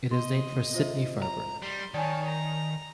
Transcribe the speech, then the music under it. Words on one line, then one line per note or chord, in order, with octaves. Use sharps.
It is named for Sidney Farber.
D#5 C6
F4 C5 E5
A#5
G3 C6
D#3 C#5 D5 G#5 A5
A#5